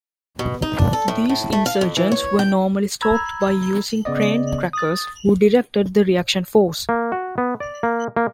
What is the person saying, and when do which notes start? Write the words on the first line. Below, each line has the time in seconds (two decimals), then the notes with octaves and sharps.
These insurgents were normally stalked by using trained trackers, who directed the reaction force.
0.39 B2
0.62 D#4
0.78 D4
0.93 A4
1.08 A2
1.29 A2
1.52 A3
1.66 F5
1.81 F2
1.97 E3
2.12 C#5
2.39 G5
3.02 A#5 B5 E6 G#6
4.05 C#3 B3 D5 D#5
4.73 D#6 A6
6.89 A#3
7.12 F#4
7.38 B3
7.60 D5
7.83 A#3
8.17 A#3